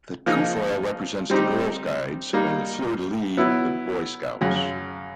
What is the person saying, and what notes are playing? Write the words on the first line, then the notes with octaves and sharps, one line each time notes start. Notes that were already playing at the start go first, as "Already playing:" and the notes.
The trefoil represents the Girl Guides and the fleur-de-lis the Boy Scouts.
C#3 F3 A#3 D#4
G3 C4 D#4 G4
G3 A#3 D#4
F#3 B3 E4
F#2 C#3 F#3